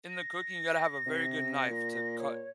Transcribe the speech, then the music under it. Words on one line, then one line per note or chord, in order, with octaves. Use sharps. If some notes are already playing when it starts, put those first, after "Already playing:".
in the cooking, you gotta have a very good knife to cut.
A#6
C3
A#2
C#5